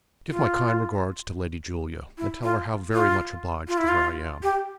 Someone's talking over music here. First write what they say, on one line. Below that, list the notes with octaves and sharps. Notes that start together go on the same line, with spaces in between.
Give my kind regards to Lady Julia, and tell her how very much obliged to her I am.
F4
E4
F4
F4
F4
E4
F4
G4